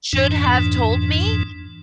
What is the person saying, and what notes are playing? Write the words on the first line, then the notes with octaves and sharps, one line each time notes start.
should have told me?"
F2 G#2 E3 D4